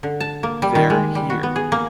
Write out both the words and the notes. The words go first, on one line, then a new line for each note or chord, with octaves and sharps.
They’re here.
D3
A5
A#3
G3
D#3
G#3
G3
F#4
B3
G#4
A#3